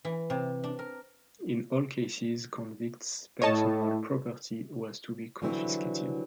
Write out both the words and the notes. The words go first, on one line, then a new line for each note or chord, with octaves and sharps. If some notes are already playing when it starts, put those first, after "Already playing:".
In all cases convicts' personal property was to be confiscated.
E3
C3
D4
A#4
A2 C#5 D#5 A5
D3 E3 F#3 G3 C4 E4